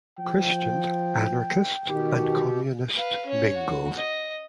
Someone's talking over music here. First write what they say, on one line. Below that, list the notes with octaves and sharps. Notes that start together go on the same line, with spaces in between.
Christians, anarchists and communists mingled.
F3 G5
B2 D#3 G4
B4 F5
C#4 C#5
F#4
D#5